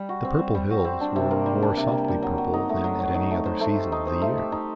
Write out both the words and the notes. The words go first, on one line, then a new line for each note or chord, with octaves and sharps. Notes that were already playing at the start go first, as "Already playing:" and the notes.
The Purple Hills were more softly purple than at any other season of the year.
Already playing: G3
F#4
C4
G3
G3
F#4
C4
D4
C3
A#3
G3
D4
C3
A#3
G3
F#3
F#3
D#4
A3
F#3
F#3
D#4
A3
C5
A3
G4
D#4
C5
A3
G4
D#4